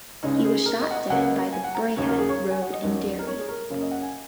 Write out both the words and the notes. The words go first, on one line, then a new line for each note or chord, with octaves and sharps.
He was shot dead by the Braehead Road in Derry.
C#2 C#3 G#3 C#4 D#4
G#4
A#4
D#5
F#5
D#5
C#2 C#3 A#3 F#5
G#5
F#5
A#5
D#2 C#3 A#3 C#4 C#5
A#4
G#4
C#5
G#5
F#5
D#5
D#2 D#3 F#3 C#4
A#4
C#5
G#4
A#4
F#1 F#2 C#3 A#3 C#4
D#5
F#5
G#5